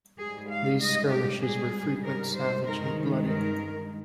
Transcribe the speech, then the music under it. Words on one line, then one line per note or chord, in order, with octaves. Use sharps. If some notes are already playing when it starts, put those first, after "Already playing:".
These skirmishes were frequent savage and bloody.
G#2 G3 G#4
F5
D#5
G4
G#2 G3 G#4
A#4
C5
G2 D#3 G#3 A#4
A#4